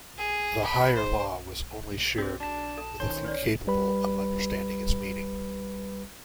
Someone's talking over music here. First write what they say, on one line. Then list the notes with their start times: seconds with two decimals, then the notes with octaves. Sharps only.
The higher law was only shared with a few capable of understanding its meaning.
0.18 G#4
0.64 B5
0.95 C5
2.18 C4 F#4 G#4
2.40 D4 A5
2.78 A4
3.00 D#3 C#4 C5
3.25 B4 C#5 D5
3.67 G3 B4 B5